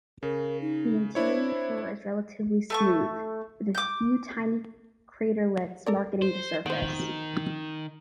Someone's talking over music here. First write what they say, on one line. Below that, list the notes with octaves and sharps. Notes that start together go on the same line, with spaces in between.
The interior floor is relatively smooth, with a few tiny craterlets marking the surface.
C#3 A#4
D#4
D4 E4 C5 C#5
A3 A5 C#6
D6 G6
A4 A#4 D5
C5
D#3 B3 C5